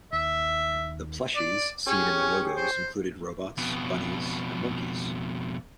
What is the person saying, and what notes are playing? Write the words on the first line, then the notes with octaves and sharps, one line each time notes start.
The plushies seen in the logos included robots, bunnies, and monkeys.
D#2 E5
D5
C#4 G4 G#4 C#5
C5
F2 B2